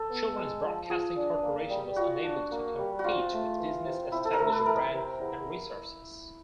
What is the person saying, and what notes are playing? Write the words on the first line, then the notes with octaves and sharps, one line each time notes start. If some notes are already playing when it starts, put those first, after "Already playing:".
Children's Broadcasting Corporation was unable to compete with Disney's established brand and resources.
Already playing: A4
B3
G#3
F3
F4 G#4
D4
A#3
G3
F4 F#4
D4
A#3
G3
F#4
C3 F4
A3
E3
C3
C3 E4
A4
A#4
A3 A4
B4
E3 A#4
C3
E2